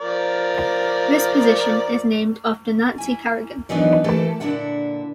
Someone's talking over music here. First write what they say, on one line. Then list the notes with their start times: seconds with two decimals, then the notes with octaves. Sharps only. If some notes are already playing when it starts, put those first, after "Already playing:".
This position is named after Nancy Kerrigan.
0.01 F3 A#4 D5
2.98 E4 G#5
3.69 D#3 E3 F#3 B3 D4 D#4
4.04 E3 A3 A#3 E4 G4 A4
4.40 A#2 D3 D4 E4 F4 F#5